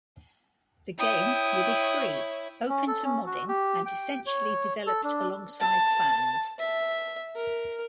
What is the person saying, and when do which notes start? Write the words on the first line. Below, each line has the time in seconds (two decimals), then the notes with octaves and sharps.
The game will be free, open to modding, and essentially developed alongside fans.
0.99 E4 C#5 G5 D#6
2.69 C#4
2.88 A4
3.04 C#4
3.27 F#4
3.49 G4
3.86 G5
4.26 C#5
4.87 A4
5.04 D4
5.60 A5
6.59 E5
7.36 A#4